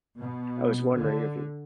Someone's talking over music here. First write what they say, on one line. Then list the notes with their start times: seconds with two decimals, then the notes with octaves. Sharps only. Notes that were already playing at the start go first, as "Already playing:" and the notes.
I was wondering if you
0.18 B2
0.94 D3